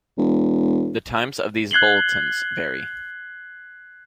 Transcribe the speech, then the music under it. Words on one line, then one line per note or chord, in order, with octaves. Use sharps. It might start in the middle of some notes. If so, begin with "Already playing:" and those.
The times of these bulletins vary.
E1
F#6 G#6 C7 F#7 G7